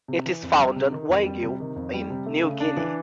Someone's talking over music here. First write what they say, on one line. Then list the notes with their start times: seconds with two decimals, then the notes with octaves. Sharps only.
It is found on Waigeo in New Guinea.
0.08 C3
0.26 E3
0.43 F2
0.59 G3
0.76 C3
0.92 D#3
1.09 F2
1.26 G3
1.43 C3
1.60 D#3
1.76 F2
1.94 G3
2.10 C3
2.26 A3
2.43 C#3
2.60 D4
2.77 E3